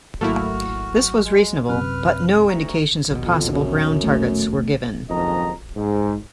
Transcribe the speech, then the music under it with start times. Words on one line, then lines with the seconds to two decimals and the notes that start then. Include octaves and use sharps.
This was reasonable, but no indications of possible ground targets were given.
0.21 G#1 F#3 A3 A#3 E4 F#4 F6
1.24 G#3
1.69 F#2 C3 B4 F6
2.49 D2 A#5 C#6
3.11 A#1 D#2 B2
3.26 F2
3.52 F#2
4.03 A3
5.09 F#1 F2 G#2 D#3 D#5 A#5
5.76 G#2